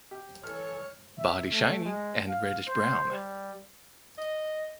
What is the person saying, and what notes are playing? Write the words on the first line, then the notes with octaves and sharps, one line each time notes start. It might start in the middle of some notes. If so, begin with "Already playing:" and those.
Body shiny and reddish brown.
G4
E3 A4 C#5 F6
E5
A3
G#3
F5
C5
G3
D#5